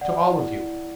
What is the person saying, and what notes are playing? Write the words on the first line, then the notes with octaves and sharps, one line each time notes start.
To all of you.
D5 F#5
E4
E4